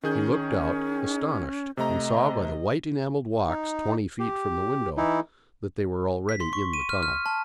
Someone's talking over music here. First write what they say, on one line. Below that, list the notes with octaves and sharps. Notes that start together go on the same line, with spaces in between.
He looked out, astonished, and saw by the white enamelled walks twenty feet from the window that they were already in the tunnel.
D#3 C#4 G#4 G6
C3 A3 D#5 A#5
D#4
G4
E3 D#4 E4
B6
C6
C#6
D#7
F6
F6
A5